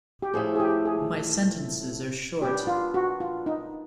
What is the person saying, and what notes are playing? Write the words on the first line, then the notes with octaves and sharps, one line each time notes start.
My sentences are short.
G4
A2 F3 A3 G#4
G#4
G4
G#4
A#2 G3 B3 D4 G4
F4
F#4
F4
D#4